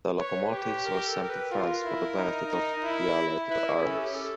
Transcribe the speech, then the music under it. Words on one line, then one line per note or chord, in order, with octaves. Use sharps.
The locomotives were sent to France for the benefit of the Allied armies.
B4 C#5
G4
A#4
A4
A#4
B4
F4 A#4
E4
D#4
D#4
E4
E4 B4
A#4
G#4
C#4 A4
G4
A4